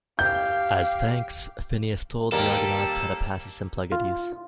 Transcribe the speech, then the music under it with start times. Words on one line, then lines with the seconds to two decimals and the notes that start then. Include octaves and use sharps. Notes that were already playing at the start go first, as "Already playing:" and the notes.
As thanks, Phineas told the Argonauts how to pass the Symplegades.
0.19 G4 F5 G6
2.32 D#2 G3 A#3 A4 A#4
3.92 F4